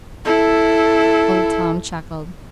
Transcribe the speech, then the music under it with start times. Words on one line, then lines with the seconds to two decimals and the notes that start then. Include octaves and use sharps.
Old Tom chuckled.
0.25 E4 A4